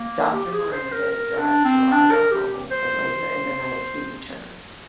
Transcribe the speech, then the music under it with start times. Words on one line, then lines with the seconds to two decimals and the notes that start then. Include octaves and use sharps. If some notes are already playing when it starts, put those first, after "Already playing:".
Doctor Miranda drives Gerardo home and later in the night he returns.
Already playing: A#3
0.33 G4
0.53 G#4
0.72 C5
0.92 A#4
1.12 A#4
1.38 D4
1.65 C4
1.92 D4
2.11 A#4
2.31 G4
2.71 C5